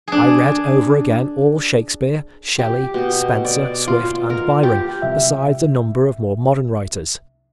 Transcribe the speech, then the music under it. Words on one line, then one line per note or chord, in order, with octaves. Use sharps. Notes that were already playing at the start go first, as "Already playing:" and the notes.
I read over again all Shakespeare, Shelley, Spenser, Swift and Byron, besides a number of more modern writers.
D4 G#4
G4
B2
D5
F4
A#4
G4
C2 E5